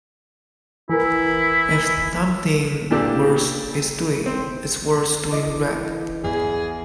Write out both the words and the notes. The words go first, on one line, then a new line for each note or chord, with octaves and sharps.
If something worth is doing, it's worth doing right.
E3 E4 A#4
A#2 E3 D4 G4 A4
C4
E3 D#5 D6
E2 G#4